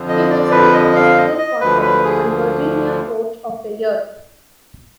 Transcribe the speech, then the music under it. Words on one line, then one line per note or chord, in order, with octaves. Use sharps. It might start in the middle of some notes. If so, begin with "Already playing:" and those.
He was named the Southern Conference and Virginia Coach of the Year.
Already playing: F2 D3 F3
D#5
D5
B4
D#5
F5
D#5
D#5
D2 D3 F3 B4
B4
G#4